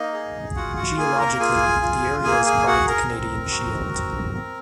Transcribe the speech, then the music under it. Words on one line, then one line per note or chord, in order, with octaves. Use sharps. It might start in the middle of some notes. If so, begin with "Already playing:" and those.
Geologically, the area is part of the Canadian shield.
Already playing: A#3 D#4 D#5
G#4
F4 F#4 F#5
F#4 F#5
A#3 G#4 G#5
A#4 A#5
F4 G#4 G#5
F4
A#3 G#4 G#5
G#4 G#5
F#4 G#4 F#5
A#4 A#5
C4
F#4
C4
C4